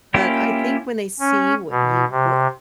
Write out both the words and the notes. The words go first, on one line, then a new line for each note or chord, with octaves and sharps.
But I think when they see what you we
A#3 C#4 E4 F4 G4
C#4
B2
C3